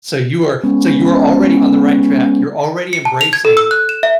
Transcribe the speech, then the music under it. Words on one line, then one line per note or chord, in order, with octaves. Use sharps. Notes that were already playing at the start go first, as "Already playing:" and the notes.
So, you are so you are already on the right track, you're already embracing
G#3 B3 C#4
C#7
A5
F7
G#6
A4
E6
F#6
E7
E5